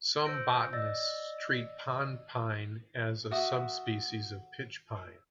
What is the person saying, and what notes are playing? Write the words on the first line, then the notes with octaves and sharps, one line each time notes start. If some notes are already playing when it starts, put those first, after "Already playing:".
Some botanists treat pond pine as a subspecies of pitch pine.
C5 E6 G6 A#6 D7
D5 D#5 E6 A6 A#6
F#4 E5 D#6